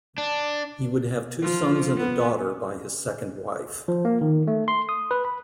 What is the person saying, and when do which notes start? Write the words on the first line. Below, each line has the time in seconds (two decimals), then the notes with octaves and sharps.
He would have two sons and a daughter by his second wife.
0.18 D4
1.42 F3
1.97 B3
3.88 F3
4.05 A#3
4.21 D#3
4.47 A3
4.68 C6
4.89 D#6
5.11 B4
5.25 B5